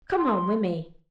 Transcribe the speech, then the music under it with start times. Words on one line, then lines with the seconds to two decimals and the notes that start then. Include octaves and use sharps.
Come home with me.
0.18 C6